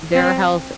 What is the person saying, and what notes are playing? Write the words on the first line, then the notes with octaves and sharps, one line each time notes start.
their health
C4